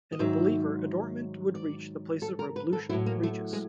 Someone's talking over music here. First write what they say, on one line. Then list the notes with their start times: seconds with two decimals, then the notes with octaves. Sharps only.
In a believer adornment would reach the places where ablution reaches.
0.12 D#5
0.19 G#2 D#3 F#3 E5
1.55 D5
2.22 A4
2.39 A#4
2.56 B4
2.73 A4
2.89 A2 F#3 E4
3.06 A#3
3.23 A3
3.53 G#3